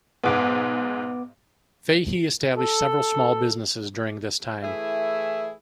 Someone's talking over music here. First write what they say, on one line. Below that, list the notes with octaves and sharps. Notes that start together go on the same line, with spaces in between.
Fahy established several small businesses during this time.
B1 G#2 B3 D6
A4
E3 A3 E4 G#4 E5